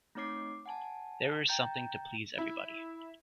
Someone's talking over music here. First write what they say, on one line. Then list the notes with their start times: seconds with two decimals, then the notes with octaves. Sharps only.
There is something to please everybody.
0.15 A3 C4 D#4 C#5 D6 C7
0.66 F#5 G#5 A5
1.48 G5 A#5 G6 A6
2.38 E4